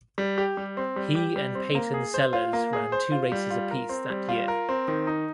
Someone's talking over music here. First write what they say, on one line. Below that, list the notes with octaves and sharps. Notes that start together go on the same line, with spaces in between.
He and Peyton Sellers ran two races apiece that year.
G3
G4
G3
C4
G3
G4
G3
C4
A#3
G#4
C5
F4
A#3
G#4
C5
F4
G3
F4
A#4
C4
G3
F4
A#4
C4
D#3
D#4